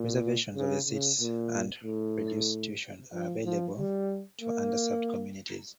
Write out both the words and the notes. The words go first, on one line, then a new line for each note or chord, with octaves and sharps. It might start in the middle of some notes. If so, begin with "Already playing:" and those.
Reservations of seats and reduced tuition are available to underserved communities.
Already playing: A#2
C#3
C#3
A#2
A2
F3
F3
G3
A#3